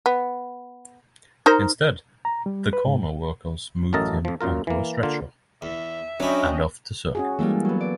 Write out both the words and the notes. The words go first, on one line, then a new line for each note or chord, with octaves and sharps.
Instead, the corner workers moved him onto a stretcher and off the circuit.
B3
D#4 A#4 C5
A#5
G3
B4
G#2
A1 F#2 A4 A#4 D#5 A5
F2 F3
F#2 A#2 F4 A#4
E3 A#3
D3 A#3 F4
E2 E5
F#3 C#4 D4 E4 D#5 G5
C#4 F#4 G#4
E3 G3 G#3 A#3 A4
F#3 B3
D5